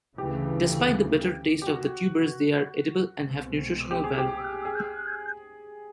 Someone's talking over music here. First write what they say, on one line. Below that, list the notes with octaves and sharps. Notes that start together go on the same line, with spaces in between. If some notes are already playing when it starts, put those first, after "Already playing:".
Despite the bitter taste of the tubers, they are edible and have nutritional value.
D2 C#3 E3 A3 G4
G4
F#4
C2 B2 G#3 C4
G4
G#4
G4
G#4